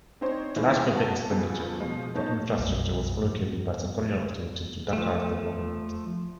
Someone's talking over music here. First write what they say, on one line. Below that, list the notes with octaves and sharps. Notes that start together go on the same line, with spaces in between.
Large public expenditure for infrastructure was allocated by the colonial authorities to Dakar's development.
C4 D4 D#4 C5 C#5
D#2 A#2 D#3 E3 G#3
F#4 F#5 A5
A#1 F2 C#3 B3 A4
B2 F3 G#3
B3 D#4 C#5 A5 G6
B1 F#2 G3
G2 A#2 F3 G3
F3 A3